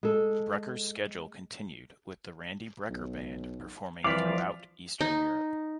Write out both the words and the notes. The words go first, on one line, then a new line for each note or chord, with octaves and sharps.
Brecker's schedule continued with the Randy Brecker Band performing throughout Eastern Europe.
G#3 A4
B1
C2 E3 F3 D5 F5 D6 B6
D#4